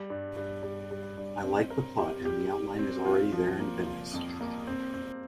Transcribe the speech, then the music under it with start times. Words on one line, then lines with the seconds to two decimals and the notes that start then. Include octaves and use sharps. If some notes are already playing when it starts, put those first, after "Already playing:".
I like the plot and the outline is already there in Venice.
Already playing: G3
0.10 G2
0.37 G2
0.63 G3
0.91 G3
1.17 G2
1.43 C4
1.70 A#4
1.98 G4
2.25 G4
2.52 G4
2.79 C4
3.05 F4
3.32 F3
3.60 A#3
3.87 F4
4.14 F2
4.41 A#3
4.67 C4
4.94 C4